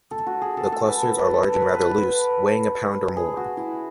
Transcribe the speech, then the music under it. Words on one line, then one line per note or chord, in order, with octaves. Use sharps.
The clusters are large and rather loose, weighing a pound or more.
A4
F#4
G#4
A4
A4
B4
A4
B4
A4
B4
B4
G#4
F#4
E4